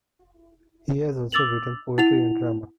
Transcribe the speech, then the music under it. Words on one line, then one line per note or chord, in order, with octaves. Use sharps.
He has also written poetry and drama.
D6 E6 A6 F7 F#7
E4 F#5 F7